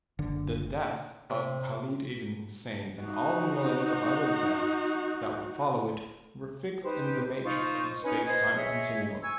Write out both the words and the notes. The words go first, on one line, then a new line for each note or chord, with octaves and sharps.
The death of Khalid ib'n Hussein, and all the millions of other deaths that would follow it, were fixed in the matrix of the space-time continuum.
F#1 D3
C3
D#4 F#4
D#4 G4 B4 C5
D#4 F4 C5 C#6
C#4 D#4 B4 G#5
B4 C5 D#5 G#6
G#4 C#5 D#5 E5
G#5 C#6 E6 G#6